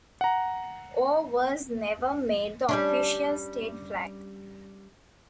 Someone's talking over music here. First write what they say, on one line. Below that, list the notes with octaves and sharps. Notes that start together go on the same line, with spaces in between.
Or was never made the official state flag.
F#5 A#5
G3 C#4 D4